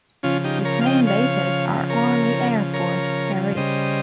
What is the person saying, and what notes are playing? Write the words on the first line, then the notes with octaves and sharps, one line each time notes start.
Its main bases are Orly Airport, Paris.
C#3 F3 C#4 F4
D#4 G4
A#4 C#5
F5
D#5 G5
C#5 F5
A#4 C#5
A#4 C#5
C#3 G3 C5 D#5